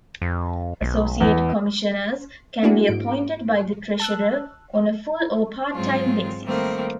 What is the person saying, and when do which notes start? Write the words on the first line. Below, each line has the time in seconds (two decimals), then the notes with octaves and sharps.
Associate Commissioners can be appointed by the Treasurer on a full or part-time basis.
0.22 F2
0.81 B1
1.20 E2
2.63 A#3 D4 E4 F#4 G#4
2.87 G#2 D7
4.00 A5 E6 F#6
5.74 G#2 F#3 G#3 C4 F4
6.44 D#3 G3 A3 A#3 C4